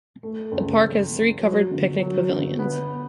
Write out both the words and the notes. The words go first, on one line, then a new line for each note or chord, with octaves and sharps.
The park has three covered picnic pavilions.
A3
C#2
F#1
F#1
F#3
G1
F#3
G1
B3